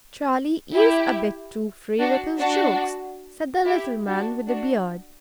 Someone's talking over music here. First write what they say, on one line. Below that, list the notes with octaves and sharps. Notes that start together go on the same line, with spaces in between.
"Charlie IS a bit too free with his jokes," said the little man with the beard.
E4 G4
D4 F#4
D4 F#4
E4 G4
D4 F#4
D4 F#4